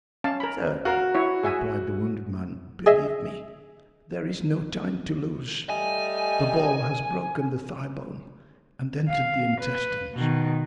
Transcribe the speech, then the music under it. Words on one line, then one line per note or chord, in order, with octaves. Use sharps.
"Sir," replied the wounded man, "believe me, there is no time to lose; the ball has broken the thigh bone and entered the intestines."
C#4 F5 A5
A#4 B5
F#4 A#4 F5
E4 C#5
G#4 E5 G#5
G#4 D#5 E5
G3 A3 D#5 G#5
F5
B4
B2 D#3